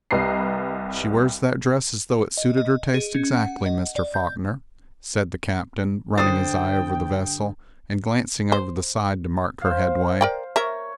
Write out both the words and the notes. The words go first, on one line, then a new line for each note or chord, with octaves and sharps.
"She wears that dress as though it suited her taste exactly, Mr. Faulkner," said the captain, running his eye over the vessel, and glancing over the side to mark her headway.
C2 G3 B4 D#5 A#5 C7
D#5
D#5
G#4
C#4
F#5
D#5
D5
G6
G2 D3 C5 G5 D#6 A6
C5
C5 F5
A#4 D5 G5
A#4 C#5 E5